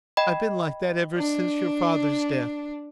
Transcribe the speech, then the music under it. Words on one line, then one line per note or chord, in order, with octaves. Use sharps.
I've been like that ever since your father's death.
D#5 G5 B5
D4